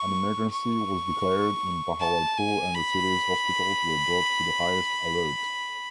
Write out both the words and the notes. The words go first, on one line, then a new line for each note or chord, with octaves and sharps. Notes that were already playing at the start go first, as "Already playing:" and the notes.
An emergency was declared in Bahawalpur and the city’s hospitals were brought to the highest alert.
Already playing: C#6
C#6
A5
G#5
B5